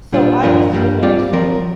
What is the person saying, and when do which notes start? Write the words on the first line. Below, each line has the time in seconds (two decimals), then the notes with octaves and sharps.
So, I was still very civil.
0.12 A#2 G3 D4 F4
0.43 G2 F3 D4 F4 A#4
0.73 G2 G3 A#3
1.03 G3 C4 F4 D5
1.33 F3 C4 A#4